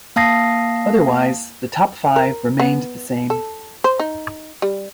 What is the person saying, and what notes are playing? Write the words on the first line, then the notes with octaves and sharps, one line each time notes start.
Otherwise, the top five remained the same.
A#3 F5 A5 D#6 A#6 C7
A#4
B3
A4
C5
D#4
G3